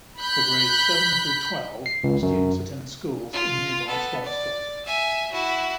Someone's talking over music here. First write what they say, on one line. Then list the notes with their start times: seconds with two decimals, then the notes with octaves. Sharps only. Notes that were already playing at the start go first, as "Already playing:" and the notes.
For grades seven through twelve, students attend schools in nearby Swampscott.
0.20 B5 F#6 G6 B6
1.86 C7
2.04 C#2
2.22 F#2
3.33 F4
3.87 B3 A4
4.25 D5
4.85 E5 G#5
5.32 E4 F#4